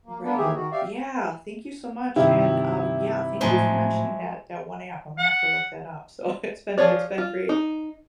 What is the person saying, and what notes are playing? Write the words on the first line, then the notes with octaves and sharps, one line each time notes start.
Right, e yeah, thank you so much, and, um, yeah, thank you for mentioning that that one app, Imma have to look that up. So, it's been it's been great.
A#3
A#3 B3 D4
D#2 D#3 E3 G4 G#4 E5
D#3 F#4
G4 D5 E5 F5
G2 C3 D#3 E4 G5
A2 F3 F#3 G#3 A3 C5
F#5
F3 G#4 C#5 D5
F4
D#4